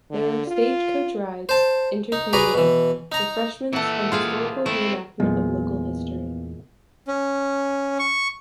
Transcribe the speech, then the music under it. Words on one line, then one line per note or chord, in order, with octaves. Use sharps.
There are stage coach rides, entertainment, refreshments and historical reenactment of local history.
D3
F4
C5 A5
D#4
F#4 G#4 B4 D5 A#5
B2 E3
D#4 A#5
A#2 E3 A3 F#5
F4 G#4 F5
A3 C4 E4
E2 A#2 F#3 G#3 A3 B3
C#4
C#6